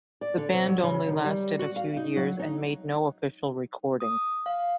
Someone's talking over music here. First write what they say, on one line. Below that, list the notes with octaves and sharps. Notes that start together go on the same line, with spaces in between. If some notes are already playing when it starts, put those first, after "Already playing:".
The band only lasted a few years and made no official recording.
D5
D3
C3
F#3
C#3
D#3
G3
F#4
F5
D#4
F#3
D#4
D#6
F5